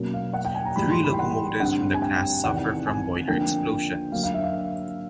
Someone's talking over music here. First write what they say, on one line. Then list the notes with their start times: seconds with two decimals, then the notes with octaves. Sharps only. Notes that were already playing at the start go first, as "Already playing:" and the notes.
Three locomotives from the class suffered from boiler explosions.
Already playing: B2 F#3 A#3 C#4
0.14 F5
0.33 F#5
0.45 G5
0.55 G#5
0.65 A#5
0.76 G#2 E3 G3 A#3 D#4 B5
0.90 C6
1.04 B5
1.13 G5
1.19 F#5
1.60 G2 D3 G3 C4 F#5
1.94 G#5
2.02 G5
2.44 E2 C3 D#3 F#5
2.87 G#5
3.28 D3 F3 A#3 G5
4.12 D3 F#3 A#3 F5
4.23 F5
4.34 E5
4.43 F5